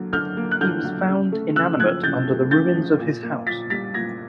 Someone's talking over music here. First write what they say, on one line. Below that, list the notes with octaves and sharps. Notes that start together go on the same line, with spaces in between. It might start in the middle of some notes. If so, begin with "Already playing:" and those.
He was found inanimate under the ruins of his house.
Already playing: D3 F#3 A#3
D3 F6 G6
A#3
F#6
D3 F6 G6
F#3
C#3
A3
C#3 E6 F#6
F3 F#6 G#6
C#3 G6 A6
A3
C#3 G6 A6
F3
A#2
A#3
A#2 A6 B6
G3 A6 B6
A#2 G#6 A#6